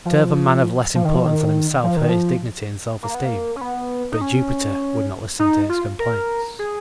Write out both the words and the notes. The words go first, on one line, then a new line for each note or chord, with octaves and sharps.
To serve a man of less importance than himself hurt his dignity and self-esteem; but Jupiter would not listen to his complaints.
F3
F3
D#3
F3
D#3
F3
D#3
F3
A#3
B3
A#3
C#4
B3
D#4
C#4
D#4
F4
A#4
G#4